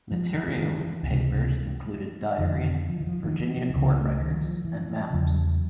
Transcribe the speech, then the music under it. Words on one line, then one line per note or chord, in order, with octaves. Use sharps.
Material in the papers included diaries, Virginia court records, and maps.
F3
E3
E3
D#3
E3
C#2 C3
F2 D3 D#3
D#3
D#3
F3
E3
F3
D#3
E3
F3
D#3
C#2 C#3 E3
A3
D#3
F#3
F3
E3
E2 C#3 F3
G3
F#3